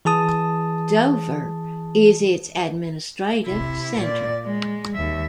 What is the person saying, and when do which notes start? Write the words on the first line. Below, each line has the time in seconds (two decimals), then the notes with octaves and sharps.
Dover is its administrative centre.
0.05 E3 G#4 A5 D#6
3.43 C3 E4
3.97 A#2 D5
4.45 G#3
4.94 D#2 E5